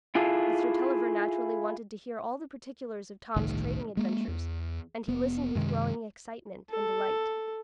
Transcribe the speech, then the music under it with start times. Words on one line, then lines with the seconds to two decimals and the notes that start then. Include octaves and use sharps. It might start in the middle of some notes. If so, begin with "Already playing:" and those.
Mr. Tulliver naturally wanted to hear all the particulars of Tom's trading adventures, and he listened with growing excitement and delight.
0.15 E4 F4 G#4 A4
3.36 G1 C2 A2 D#3
3.97 G#3 A#3
4.28 E2
5.08 F1 B3
5.55 F#2 C3 D#3 G#3
6.70 A4